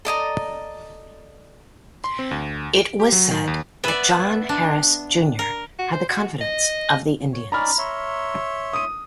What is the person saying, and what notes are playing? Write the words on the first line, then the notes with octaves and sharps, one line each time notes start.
It was said that John Harris Junior had the confidence of the Indians.
A4 D5 D#5 A#5
C6
C4
D2
D7
G4
F#3
D#3
D#2
B3 B4 D5 E5
D4
A#4
F#4
C5
F#4
D#5
C#5
C#4 D#4 D5 A#5 B5 F6
C#5 E5 C6
D#6 D#7